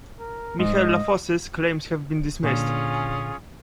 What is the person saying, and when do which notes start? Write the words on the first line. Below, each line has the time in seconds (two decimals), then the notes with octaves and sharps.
Michel Lafosse's claims have been dismissed.
0.19 A#4
0.59 G#2 D#5
2.43 A#2 D3 C#4 F4 G#4